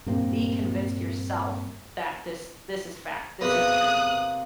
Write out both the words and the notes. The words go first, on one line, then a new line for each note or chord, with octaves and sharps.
be convinced yourself that this this is fact, this is truth,
G2 A#2 A#3 C4
E2 C3 A#3 B4 C6 D#6 F#6